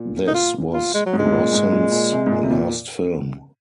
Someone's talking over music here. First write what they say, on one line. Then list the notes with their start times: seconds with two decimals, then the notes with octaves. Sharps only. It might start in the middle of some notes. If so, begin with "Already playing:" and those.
This was Rossen's last film.
Already playing: A#2
0.27 D#4
0.34 F4
0.74 F4
0.94 G#3
1.06 F#3
1.13 G#2
1.18 G#3
1.26 G#2
1.32 A#2
1.53 G#2
1.72 A#2
1.92 A#2
2.12 C3
2.26 G#2
2.32 A#2
2.43 C3
2.51 A#2